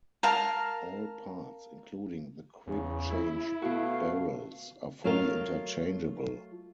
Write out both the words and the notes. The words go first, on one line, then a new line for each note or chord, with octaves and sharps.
All parts, including the quick-change barrels, are fully interchangeable.
A#4 F5 A5 A#5
E2 C#3
E4
B2 A3 F#4 F5
F#3 A3 F4 A#4 D#5 F5